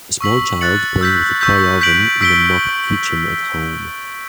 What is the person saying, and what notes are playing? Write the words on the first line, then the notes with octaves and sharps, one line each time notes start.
A small child playing with a toy oven in a mock kitchen at home.
C#6 E6 B6 F#7
F#6 A6 C#7 F#7
E6 G6 B6
C#6 E6 G6 B6
G6 B6 D7 F#7
E6 B6 D7 G7